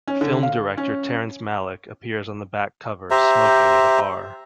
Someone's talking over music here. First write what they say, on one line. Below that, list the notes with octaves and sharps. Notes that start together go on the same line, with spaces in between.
Film director Terrence Malick appears on the back cover smoking at a bar.
C#4
D3
F5
C#4
G4 C5 E5 A#5